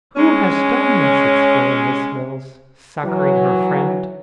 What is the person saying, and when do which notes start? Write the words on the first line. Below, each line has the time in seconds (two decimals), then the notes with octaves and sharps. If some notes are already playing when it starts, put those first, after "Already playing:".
'Who has done this?' exclaimed Miss Mills, succouring her friend.
0.16 G#3 C#4
3.05 E3 F#3